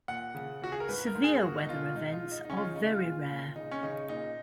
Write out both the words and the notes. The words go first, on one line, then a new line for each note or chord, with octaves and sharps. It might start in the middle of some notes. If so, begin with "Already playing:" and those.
Severe weather events are very rare.
A#2 F#5
C#3
C#3 F#4
G#4
A#4
G#2 B4
A#4
G#2
G#4
A#3 F#4
D#4
B2 F4
G#2 D#4
F4
G#2
D#4
D#4
C#3 C#4
F4
D#4
C#3 D#4
F4
A#2
A#2
C#3 D#4
C#4
C#3 D#4
A#2 D#4